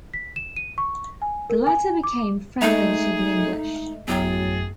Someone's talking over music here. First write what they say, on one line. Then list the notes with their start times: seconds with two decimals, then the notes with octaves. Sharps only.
The latter became friendly to the English.
0.14 B6
0.36 E7
0.56 D#7
0.78 C#6
1.22 G#5
1.50 A#4
1.67 G#5
2.03 D6
2.62 G#3 A3 D#4 G#4 A4 D#5 E5
4.08 A1 F#2 F#3 B3 E4 G#4 G5 A6